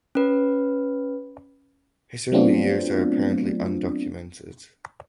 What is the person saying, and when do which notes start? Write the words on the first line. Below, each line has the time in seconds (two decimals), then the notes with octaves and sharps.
His early years are apparently undocumented.
0.15 C#4 B4
2.32 F#3 A3 B3 C4 D4 F4